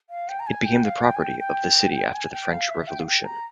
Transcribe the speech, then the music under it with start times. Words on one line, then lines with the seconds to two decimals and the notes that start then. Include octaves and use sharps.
It became the property of the city after the French Revolution.
0.10 F5
0.29 G5
0.40 A#5
0.47 G#5
0.66 G5
0.84 F5
1.03 G5
1.15 G#5
1.21 G5
1.40 G5
2.14 G#5
2.32 G5
2.51 F5
2.69 E5
2.88 G5
3.00 F5
3.07 G5
3.25 A#5